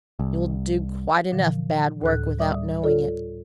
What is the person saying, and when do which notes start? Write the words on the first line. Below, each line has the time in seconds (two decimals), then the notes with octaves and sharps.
You'll do quite enough bad work without knowing it.
0.19 C2
1.32 A#2 D3 E3 F3
2.01 D2 A2 F#6
2.39 G3 D5 E5 D6 D#6
2.82 F4 A4 C#5 D5